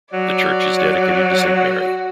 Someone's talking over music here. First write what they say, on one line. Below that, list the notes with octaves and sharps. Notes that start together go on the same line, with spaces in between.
The church is dedicated to Saint Mary.
F#3 D5
F#4